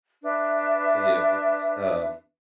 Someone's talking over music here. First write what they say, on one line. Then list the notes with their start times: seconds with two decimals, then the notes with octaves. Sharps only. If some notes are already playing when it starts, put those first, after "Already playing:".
s so yeah 'cause it's, um
0.23 D4 B4 E5